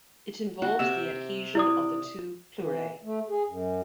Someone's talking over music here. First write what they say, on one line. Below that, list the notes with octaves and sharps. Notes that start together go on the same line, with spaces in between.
It involves the adhesion of the two pleurae.
F#4
C3 G4 E5
E4 D5 D#6
E3
A3
G#4
F#2